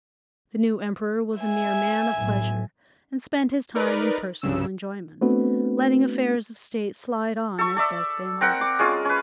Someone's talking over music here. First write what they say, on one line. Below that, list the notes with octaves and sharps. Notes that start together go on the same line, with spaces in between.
The new emperor was a mere man of pleasure, and spent his time in personal enjoyment, letting affairs of state slide on as best they might.
E5 G#5
B1 A2
D#4 A#4 B4 D5
C2 G2 C#3 E6
A3 B3 C4 D4 F#4 B4
A4 C#6
A4 D5 E5
C4 A#4 F#5
D6
G#3 C#4 F4
C#4 B4